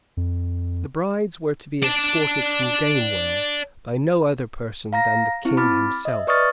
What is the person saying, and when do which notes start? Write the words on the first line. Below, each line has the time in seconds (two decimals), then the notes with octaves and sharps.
The brides were to be escorted from Gamewell by no other person than the King himself.
0.17 F2
1.83 D5 A5
4.93 F5 A#5 A#6
5.45 C4 E4
5.57 B5 D6 F6 A6
6.05 D#5 E5
6.27 B4 D5 C#6 D#6 F6 A6